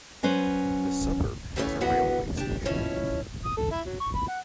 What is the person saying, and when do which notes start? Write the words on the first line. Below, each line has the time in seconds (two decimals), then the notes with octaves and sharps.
The suburb has a railway station.
0.23 F#3 C#4 B4 C5
1.56 C#3 E3 A3 B3 C#4
1.81 D3 E3 F#3 B3 F#4 F#5
2.37 D4 G4
2.65 B2 F3 C#4 E4 C#5
3.45 D#6
3.57 A4
3.71 E4
3.86 F#3
4.00 C#6
4.15 B5
4.28 F#5